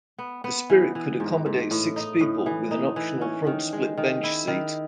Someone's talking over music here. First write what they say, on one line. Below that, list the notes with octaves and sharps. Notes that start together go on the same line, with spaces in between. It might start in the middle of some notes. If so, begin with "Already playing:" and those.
The Spirit could accommodate six people with an optional front split-bench seat.
B3
B3
E3
E3
G#2
G#2
A2
D#4
A2
E3
D#4
E3
C#4
D#3
G#3
D#3
E4
D#3